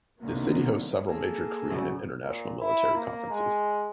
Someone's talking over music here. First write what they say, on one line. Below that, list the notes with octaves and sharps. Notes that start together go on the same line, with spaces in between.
The city hosts several major Korean and international military conferences.
C2 D3 D#3 F#3 A#3 B3
A#3 G#4 A4
F#2 C#3
A#2
E4
A#3
G#3